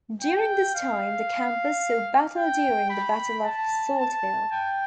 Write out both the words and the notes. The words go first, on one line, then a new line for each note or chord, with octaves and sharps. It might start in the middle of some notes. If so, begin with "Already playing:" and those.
During this time the campus saw battle during the Battle of Saltville.
G5
F5
G5
B5
A5
A5
G5